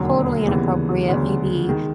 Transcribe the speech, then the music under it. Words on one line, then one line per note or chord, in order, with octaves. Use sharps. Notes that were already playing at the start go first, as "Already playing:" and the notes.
totally inappropriate maybe
Already playing: E1 D#2 D3 F#3
D#2 C#3 E3 G3 B3
D2 C#3 F#3 B3 D4
D#3 G#3